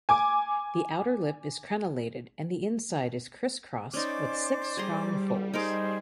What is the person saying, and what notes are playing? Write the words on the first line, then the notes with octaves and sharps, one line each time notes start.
The outer lip is crenellated and the inside is crisscrossed with six strong folds.
G#5 D6
C#4 D#4 C5 D5 D6
G3 G#4 A#5 C6
D#4 G#4 A#4 C5 D6